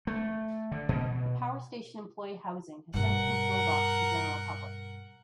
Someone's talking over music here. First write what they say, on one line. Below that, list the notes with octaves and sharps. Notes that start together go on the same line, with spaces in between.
The power station employee housing has since been sold off to the general public.
A3
D3
B2
G2 B2 A#4 F#5